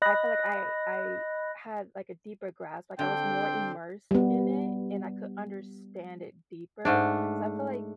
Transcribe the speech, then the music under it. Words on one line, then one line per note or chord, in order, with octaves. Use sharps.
I felt like I I had, like, a deeper grasp, like, I was more immersed in it, and I could understand it deeper. So I feel like
D#5 B5 F#6 A#6
D3 C4 D4 G5 C6
G3 B3
G#2 A3 D4